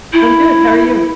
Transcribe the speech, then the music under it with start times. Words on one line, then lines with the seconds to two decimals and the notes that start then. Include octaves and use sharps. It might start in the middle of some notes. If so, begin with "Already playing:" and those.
I'm good, how are you?
0.13 E4